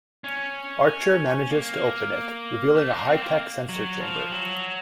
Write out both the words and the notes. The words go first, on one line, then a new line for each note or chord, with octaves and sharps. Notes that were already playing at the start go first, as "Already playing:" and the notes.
Archer manages to open it, revealing a high-tech sensor chamber.
C#4
A#3
A3
A#3
C4
A#3
F#3
F3
F#3